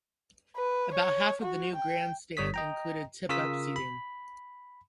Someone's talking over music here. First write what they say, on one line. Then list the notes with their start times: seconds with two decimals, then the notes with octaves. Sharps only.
About half of the new grandstand included tip up seating.
0.56 B4
0.94 C#5
1.42 F#4
1.76 G5
2.37 G1 G3 C#5 D#6 B6
2.54 D#5 G5 A#5
3.29 C#3 F4 A#4 D#6 E6 B6
3.76 B5